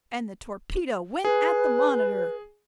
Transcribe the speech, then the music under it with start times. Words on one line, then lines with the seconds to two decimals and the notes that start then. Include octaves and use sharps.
"And the torpedo went at the monitor!"
1.25 G#4 B4